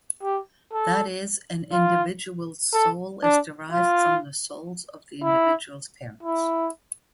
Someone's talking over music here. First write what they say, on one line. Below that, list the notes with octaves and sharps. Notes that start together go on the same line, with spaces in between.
That is, an individual's soul is derived from the souls of the individual's parents.
G4
A4
F4
A4
D4
F4
E4
E4